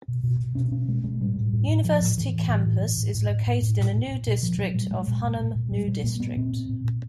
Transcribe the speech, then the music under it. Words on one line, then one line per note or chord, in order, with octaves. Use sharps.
University campus is located in a new district of Hunnan New District.
B2
B2
B2
B2 C#4
B2 C#4
B2 G#3
B2 G#3
A2 G3
A2
A2
A2
A2 F3
A2
A2 E3
A2
A2
A2
A2
A2
A2
A2
A2
A2
A#2
A#2
A#2
A#2
A#2 F3
A#2 F#3
A#2 G3
A#2 G#3
A#2
A#2
A#2
A#2
A#2 G3
A#2 G3
A#2 A#3
A#2 B3
A#2 C4
A#2
A#2
A#2